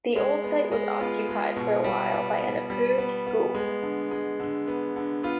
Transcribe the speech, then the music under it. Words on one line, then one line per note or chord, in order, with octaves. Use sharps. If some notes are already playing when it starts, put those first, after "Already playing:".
The old site was occupied for a while by an approved school.
G#3
B3
G#3
B3 F4
G#3
B2
G3
B3
B3
G3
B3
B3
G#3
D3
G#3
D3
B3
D3
B3 F4